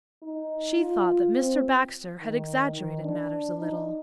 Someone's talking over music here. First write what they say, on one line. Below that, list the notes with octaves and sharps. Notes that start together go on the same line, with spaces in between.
She thought that Mr. Baxter had exaggerated matters a little.
D#4
F4
C4
D#3
D#3
D4
D#4